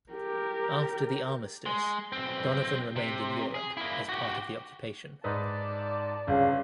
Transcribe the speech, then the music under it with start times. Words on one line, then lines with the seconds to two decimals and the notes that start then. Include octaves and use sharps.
After the Armistice, Donovan remained in Europe as part of the occupation.
0.12 G4 A#4
1.66 G#3
2.12 B1 C4
2.96 C3
3.54 G#4
3.77 A#3 E4
4.09 F#4 G4
5.24 G#2 D#4 B4 D5 A5
6.28 G1 C#3 F5